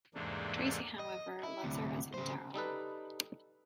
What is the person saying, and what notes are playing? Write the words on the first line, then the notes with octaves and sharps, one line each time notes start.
Tracey, however, loves her husband, Darryl.
E2 G#2 C3 A3 A#3 D4
D#5
E4
D2 C3
C#3 C5
G3 D#4 A4 B4